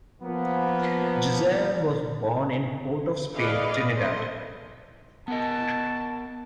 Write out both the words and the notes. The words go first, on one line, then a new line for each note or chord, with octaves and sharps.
Giselle was born in Port-of-Spain, Trinidad.
F3 A#3 B3
G#4 B4 D5 D#5 F5
A4 C5 D#5
B3 A#4 D#5 A5